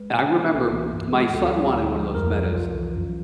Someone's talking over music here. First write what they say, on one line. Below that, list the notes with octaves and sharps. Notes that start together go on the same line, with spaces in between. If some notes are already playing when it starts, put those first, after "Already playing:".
I remember my son wanted one of those Metas,
Already playing: G#3 B4
B2
A#3
C2 A4
E3
G2
G#3
D2 A4
G3
D2
F3
F2 A#4
F3 A4
C2 F4
E3
F#2